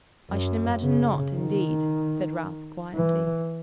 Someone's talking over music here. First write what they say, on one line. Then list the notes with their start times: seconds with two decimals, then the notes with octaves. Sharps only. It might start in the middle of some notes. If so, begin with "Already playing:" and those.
'I should imagine not, indeed!' said Ralph, quietly.
0.30 F#2
0.82 C#3
1.36 D#3
2.95 E3